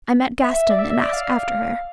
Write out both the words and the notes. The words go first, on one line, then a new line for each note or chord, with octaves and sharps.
I met Gaston and asked after her.
E5
D5
E5
E5
D5
F5